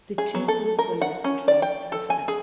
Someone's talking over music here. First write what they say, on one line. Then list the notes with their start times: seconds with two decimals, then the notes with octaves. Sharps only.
The two group winners advance to the final.
0.18 G#4
0.35 F#3
0.48 A4
0.79 A#4
1.02 F#5
1.24 C#4
1.48 D5
1.62 G5
1.92 A4
2.10 G#5
2.28 G#4